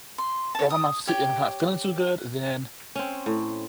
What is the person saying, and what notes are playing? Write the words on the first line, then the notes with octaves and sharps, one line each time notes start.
if I'm not s if I'm not feeling too good, then,
C6
C#5 A5
D#6
G4 C#5 G5
C4 C#4
A2